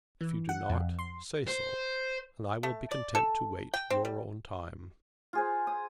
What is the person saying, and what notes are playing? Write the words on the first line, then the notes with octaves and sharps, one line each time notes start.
"If you do not, say so, and I will be content to wait your own time."
E3
F#5
F2
C6
C5
A3
D5
A4
G5
C4
G3
F4 G#4 C5
D#6